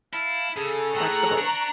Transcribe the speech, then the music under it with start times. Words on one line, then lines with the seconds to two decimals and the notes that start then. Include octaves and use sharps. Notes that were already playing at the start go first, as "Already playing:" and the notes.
That's the goal
0.13 E4 F5 A5
0.57 C#3 G#4 A4
0.95 A2 A#5 C#6 F#6
1.38 D4